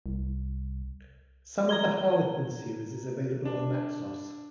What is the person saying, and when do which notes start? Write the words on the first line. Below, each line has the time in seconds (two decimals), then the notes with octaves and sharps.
Some of the Harlequin series is available on Naxos.
0.06 C2
1.69 A#5 G#6 G7
3.45 D4